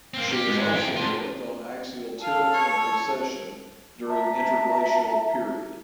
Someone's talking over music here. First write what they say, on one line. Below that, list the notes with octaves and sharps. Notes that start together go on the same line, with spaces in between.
She has also worked on axial tilt and precession during interglacial period.
A#3 C4
G4
G#2 G#3
F2 G5
A3 F4
A4 F5
C#5
E5 A5 A#5